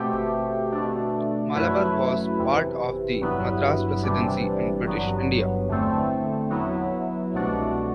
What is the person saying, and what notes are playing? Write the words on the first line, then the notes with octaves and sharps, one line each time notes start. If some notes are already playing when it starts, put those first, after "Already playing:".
Malabar was part of the Madras Presidency in British India.
Already playing: B2 A3 C4 G4
B2 A3 D4
F#2 F#3 A3 E4 B4
E2 C3 E3
G2 F#3 B3 E4 B4
C3 E3 G3 D4
G2 F#3 B3
E2 D3 A3 C4
F#3 B3 E4
C2 B2 A3 D4 F#4